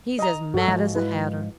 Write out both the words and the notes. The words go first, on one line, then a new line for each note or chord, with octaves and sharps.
He's as mad as a hatter.'
D#5 A#5
G2 F#4 A4
G#2 F3 G#3
E4 B4